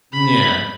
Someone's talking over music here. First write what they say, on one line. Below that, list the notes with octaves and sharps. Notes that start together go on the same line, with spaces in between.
Mm, yeah.
B5